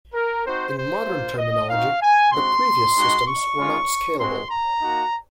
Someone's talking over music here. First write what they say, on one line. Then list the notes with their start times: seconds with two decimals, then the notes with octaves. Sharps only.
In modern terminology, the previous systems were not "scalable".
0.14 A#4
0.45 C4 D#4 F#4 C5
0.77 C5
1.07 A#3 F4
1.38 D#5
1.69 C4 D#4 F#4 F5
2.02 G#5
2.32 G#3 C4 F#4 C6
2.95 G#3 D#4 F#4
3.26 C#6
3.57 G#3 C#4 F4
4.19 G#3 C4 F#4 C6
4.51 A#5
4.82 A#3 D#4 F#4